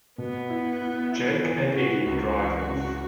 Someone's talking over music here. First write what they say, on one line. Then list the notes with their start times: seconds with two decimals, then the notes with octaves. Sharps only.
Jake and Eddie drive off.
0.18 B2 B3
0.50 E4
0.81 E4
1.12 E4
1.44 E3
1.75 C#3 F#4
2.06 C#2 F#4
2.38 E3
2.69 C#3